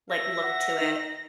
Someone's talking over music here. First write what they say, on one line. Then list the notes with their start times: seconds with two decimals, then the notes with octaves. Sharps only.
like, look to it,
0.10 E5 A#6
0.43 F#5
0.81 D#4